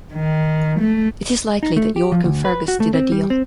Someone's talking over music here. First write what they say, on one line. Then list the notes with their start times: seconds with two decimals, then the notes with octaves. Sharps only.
It is likely that York and Fergus did a deal.
0.13 D#3
0.80 A3
1.63 D#4
1.76 A3
1.96 G4
2.12 F3
2.24 D2
2.45 B4
2.68 F#4
2.80 A3
2.94 C4
3.12 G3
3.30 C4